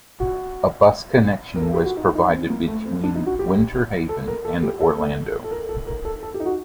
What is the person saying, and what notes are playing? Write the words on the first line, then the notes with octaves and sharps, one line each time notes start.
A bus connection was provided between Winter Haven and Orlando.
F#4
A#4
A4
G4
F#4
D#4
D#4
C4
A#3
A3
C4
D4
D#4
F#4
G4
A4
A#4
A4
G4
A4
A4
A#4
A4
A#4
A4
A4
G4
D#4
F#4